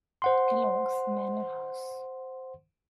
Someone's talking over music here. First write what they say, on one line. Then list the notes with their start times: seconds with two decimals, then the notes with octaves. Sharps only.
Kellogg's Manor House.
0.22 C5 F#5 C6